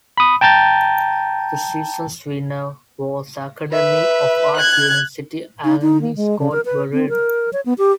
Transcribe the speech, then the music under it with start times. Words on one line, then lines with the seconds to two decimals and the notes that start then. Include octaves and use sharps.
The season's winner was Academy of Art University alumni Scott Borrero.
0.18 B5 D#6
0.41 G5 A5 A#5 G6 A6
3.72 B4 E5
4.56 F#6 G#6
5.64 D#4
5.82 D#4
6.02 A#3
6.16 G#3
6.40 C#3
6.52 A#4
6.65 B4
6.93 C4
7.09 A#4
7.53 C#5
7.66 B3
7.78 G4